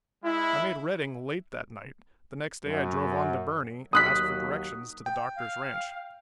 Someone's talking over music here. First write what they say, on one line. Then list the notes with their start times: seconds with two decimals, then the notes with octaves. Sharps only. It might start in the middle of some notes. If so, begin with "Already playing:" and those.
I made Redding late that night; the next day I drove on to Burney and asked for directions to the Doctor's ranch.
0.24 G#3 E4
2.67 F#2
3.93 D#2 F#3 D#6 F#6 B6
5.06 G5
5.36 F5